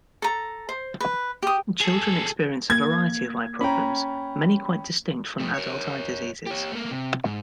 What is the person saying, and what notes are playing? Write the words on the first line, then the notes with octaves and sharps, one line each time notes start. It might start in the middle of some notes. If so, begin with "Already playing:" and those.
Children experience a variety of eye problems, many quite distinct from adult eye diseases.
A4 A#5
C5
B4
G4 D#6
G#4 A4
A#3 G#6
C#4 G5 A#5 B5
F3 A3
A#4 C#5
G4 C#5
A3 A#3
C3
G#2